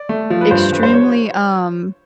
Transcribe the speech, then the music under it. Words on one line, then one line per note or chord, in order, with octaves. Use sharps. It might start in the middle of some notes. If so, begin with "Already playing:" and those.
extremely um
Already playing: D5
A3
F3
B4
G2 C5
G2 B4
C5
C#5